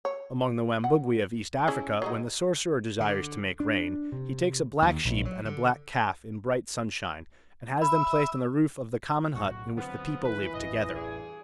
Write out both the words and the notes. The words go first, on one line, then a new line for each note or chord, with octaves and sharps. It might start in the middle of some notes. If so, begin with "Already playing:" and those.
Among the Wambugwe of East Africa, when the sorcerer desires to make rain, he takes a black sheep and a black calf in bright sunshine, and has them placed on the roof of the common hut in which the people live together.
C#5
F#5
C#4 E4 G#4
F#3 G#3 D#4
D3
D4
C3
D#2
A#1
F#3
D3
E5 B5
B1 A2 F#3 F#4
D3 F3 F#3 B3 C4
E3 B4
D#1 A1 E2 D#5
G2 G#4